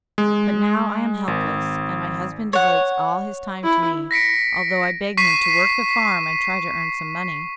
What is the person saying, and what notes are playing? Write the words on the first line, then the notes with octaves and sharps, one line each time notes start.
But now I am helpless, and my husband devotes all his time to me, although I beg him to work the farm and try to earn some money.
G#3
G#1
C#5 F#5
E4
A#6 B6 C#7 D7
C#6 B6 C7 D#7